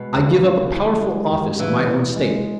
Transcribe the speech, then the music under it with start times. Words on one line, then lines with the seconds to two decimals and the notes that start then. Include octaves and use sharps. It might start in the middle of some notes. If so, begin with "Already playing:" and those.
I give up a powerful office in my own state.
Already playing: B2 G#3
0.15 D#2
0.44 C#3
0.73 E3
1.02 G#3
1.30 D#2
1.59 C#3 E3
1.88 E3
2.16 G#3